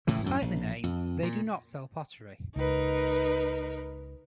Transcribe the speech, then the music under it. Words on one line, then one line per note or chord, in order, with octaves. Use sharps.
Despite the name, they do not sell pottery.
A2 C#3 E3
F#2 A2
A#1
F2
A#2
C#2 D#4 A#4 B4